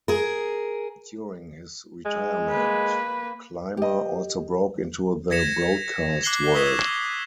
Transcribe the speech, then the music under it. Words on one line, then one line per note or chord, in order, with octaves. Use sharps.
During his retirement Clymer also broke into the broadcast world.
G#4 A#4
G#3
A#3 B4
G4 D#5
G#6 A#6 B6 C#7 E7 F7
D6 F#6 C7 F#7 G7
C#6 D#6 E6 G#6 B6 E7